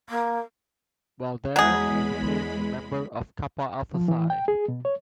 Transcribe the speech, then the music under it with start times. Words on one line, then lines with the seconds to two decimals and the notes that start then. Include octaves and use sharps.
While there he became a member of Kappa Alpha Psi.
0.09 A#3
1.56 E2 F#3 G#3 G#4 B5
3.94 F3
4.08 E3
4.30 G5
4.48 G#4
4.68 B2
4.85 C#5